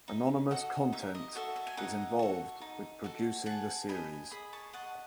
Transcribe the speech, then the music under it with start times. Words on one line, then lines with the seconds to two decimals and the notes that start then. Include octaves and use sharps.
Anonymous Content is involved with producing the series.
0.08 D#4 E5
0.51 F#4 A4 D#5 F#5
0.93 D#4 E5
1.15 D#5
1.35 F#4 A4 E5
1.56 E5
1.67 G#5
1.77 D#4 D#5 F#5
2.19 F#4 A4
2.61 D#4
3.04 F#4 A4
3.46 G#4 F#5 A5
3.89 D#5 G#5 B5
4.31 G#4 B5 D#6
4.53 A5 C#6
4.73 D#5 F#5 A5